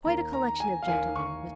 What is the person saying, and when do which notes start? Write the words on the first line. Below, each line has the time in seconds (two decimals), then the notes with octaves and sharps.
Quite a collection of gentlemen--Mr.
0.05 D#2 D#3 A#3 A#5
0.33 A#5
0.60 G#5
0.82 F5
0.88 D#2 D#3 A#3 G#5
1.16 C#6